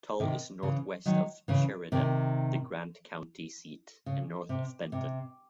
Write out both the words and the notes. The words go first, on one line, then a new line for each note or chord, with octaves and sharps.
Tull is northwest of Sheridan, the Grant County seat, and south of Benton.
C3 D#3
C#3 E3
D#3 F#3
C#3 E3
C3 D#3
C#3
C3
C3